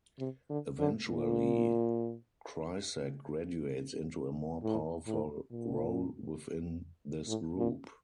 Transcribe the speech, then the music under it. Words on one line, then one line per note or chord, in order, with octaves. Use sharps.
Eventually, Krycek graduates into a more powerful role within this group.
C3
D3
D3
A#2
A2
A2
A#2
A2
A#2